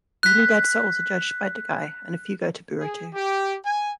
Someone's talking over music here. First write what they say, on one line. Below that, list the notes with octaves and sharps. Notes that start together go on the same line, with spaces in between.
Newly dead souls are judged by Degei, and a few go to Burotu.
F#6 B6
G#4
G4
G#5